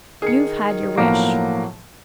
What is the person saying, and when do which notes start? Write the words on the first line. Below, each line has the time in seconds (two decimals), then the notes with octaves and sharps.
You've had your wish.'
0.22 D#3 G#4 C#7
0.98 B1 A2 F3 F#3 A#3